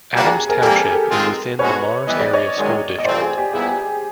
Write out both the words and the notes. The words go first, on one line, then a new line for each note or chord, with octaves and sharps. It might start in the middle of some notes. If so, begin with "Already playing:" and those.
Adams Township is within the Mars Area School District.
A#2 G3 A#3 D4 F#4
G#4
G#4
G#4 A#4
C3 E3 G3 A#3 G4 A4
G#2 D#3 G#3 C4 F4
B2 G#3 C#4 F#4 B4 C#5
A2 E3 G3 B3 D#5
D5
C#5 D#5
F#2 D#3 G#3
D#5
G2 E3 A3 C4 F4 C5 D5
G#4
G4
A#2 G3 B3 E4 G#4